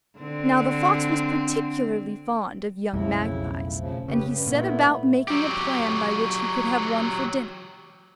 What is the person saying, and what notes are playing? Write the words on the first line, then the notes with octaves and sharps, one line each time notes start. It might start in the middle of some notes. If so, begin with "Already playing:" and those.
Now the fox was particularly fond of young magpies, and he set about making a plan by which he could have one for dinner.
D3 C4
B1 F2 A2 C#3 E4
C#3 F3
C#3 G4 B4
G2
A#2 A3 B3 E4
F#3 G4